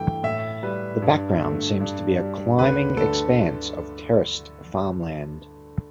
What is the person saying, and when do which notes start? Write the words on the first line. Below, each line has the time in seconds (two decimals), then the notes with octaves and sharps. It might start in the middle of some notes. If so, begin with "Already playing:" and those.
The background seems to be a climbing expanse of terraced farmland.
Already playing: G2 E3 A3 G5
0.23 A2 E5
0.63 G3 B4
1.02 G2
1.41 D3 A3
1.80 G2
2.19 G3
2.58 D2 B4
2.97 D3 A3 A4